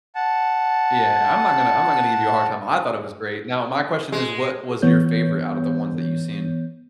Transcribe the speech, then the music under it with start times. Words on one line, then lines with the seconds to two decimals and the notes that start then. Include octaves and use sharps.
Yeah, I'm not gonna I'm not gonna give you a hard time, I thought it was great. Now, my question is what was your favorite out of the ones that you've seen?
0.15 F#5 A5
4.12 G#3
4.82 E3 B3 C#5 G6